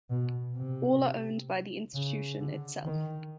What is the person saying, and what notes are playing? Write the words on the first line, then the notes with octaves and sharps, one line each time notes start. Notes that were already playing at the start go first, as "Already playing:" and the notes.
All are owned by the Institution itself.
B2
C3
C#3
D3
D#3